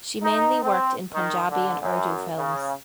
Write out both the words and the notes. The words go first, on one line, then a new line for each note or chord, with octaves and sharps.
She mainly worked in Punjabi and Urdu films.
D#4
C4
D#3
D3
F#2
C#3